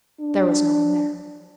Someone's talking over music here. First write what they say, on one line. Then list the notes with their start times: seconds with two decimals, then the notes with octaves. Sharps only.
There was no one there.
0.20 D4